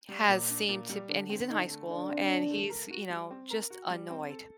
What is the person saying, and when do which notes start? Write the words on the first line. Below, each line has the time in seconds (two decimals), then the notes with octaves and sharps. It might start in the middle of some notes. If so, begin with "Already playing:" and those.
has seemed to and he's in high school, and he's, you know, just annoyed.
0.09 G3
0.28 A#2
0.49 D4
0.69 A#2
0.89 G3
1.09 D3 D4
1.29 C4
1.49 D3 D#4
1.70 A3
1.90 D3 D4
2.09 C4
2.30 D3
2.50 A3
2.70 A#4
2.90 F#4
3.10 G3
3.31 C4
3.50 A#4
3.70 F#4
3.90 G3
4.10 C4
4.30 A4